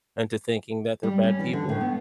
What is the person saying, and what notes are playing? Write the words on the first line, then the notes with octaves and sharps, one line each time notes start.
into thinking that they're bad people.
G3
C#4
E3
D3
A2
B3